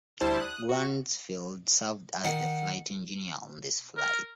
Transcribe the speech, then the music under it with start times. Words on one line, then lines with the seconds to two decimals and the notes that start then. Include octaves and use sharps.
Grunsfeld served as the flight engineer on this flight.
0.21 D2 G3 E4 C5 A5
0.40 D#6 F#6
0.69 F#4
2.24 D#3 F#5
3.97 A#4